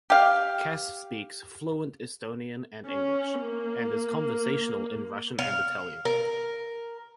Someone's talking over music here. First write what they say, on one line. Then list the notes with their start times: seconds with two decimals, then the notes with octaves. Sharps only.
Kass speaks fluent Estonian and English, and is conversational in Russian and Italian.
0.10 G4 F5
2.86 C#4
3.40 A#3
5.39 F5
6.05 A#4